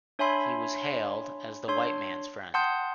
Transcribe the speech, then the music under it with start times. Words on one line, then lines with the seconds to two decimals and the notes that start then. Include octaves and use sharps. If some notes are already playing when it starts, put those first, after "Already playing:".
He was hailed as the "Whiteman's Friend".
0.19 D4 C#5 E5 G#5 B5 C6
1.68 D4 C#5 C6
2.54 F#5 G5 A5 C6 D#6 G6